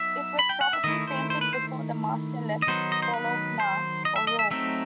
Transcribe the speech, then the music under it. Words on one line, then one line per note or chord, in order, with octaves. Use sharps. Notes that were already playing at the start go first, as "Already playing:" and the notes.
It was probably painted before the master left Bologna for Rome.
Already playing: F#3 B3 D#4 E5
B5
G5
F#5
E5
D#3 A3 E4 D#5
C5
C5
B4
C5
D#5
D#3 F#3 B3 D#4 C5
D#5
C5
B4
C5
D#5
E5
D#5
E5
F#3 A3 C4 D#4 E5